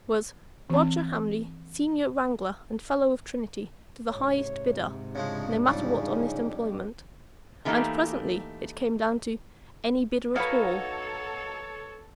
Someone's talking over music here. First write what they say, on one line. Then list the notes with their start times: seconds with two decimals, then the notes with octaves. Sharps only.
It was "Roger Hamley, senior wrangler and Fellow of Trinity, to the highest bidder, no matter what honest employment," and presently it came down to "any bidder at all."
0.70 E3 C4
4.10 G#2 C3 C#5
5.15 C#3 F3 G#3 D4
5.67 F2 C#3 G3 C#4 D#4
7.65 D3 E3 A3 A#3 D#4 G4
10.36 A#3 D#4 F#4 A4 B4 C#5 F5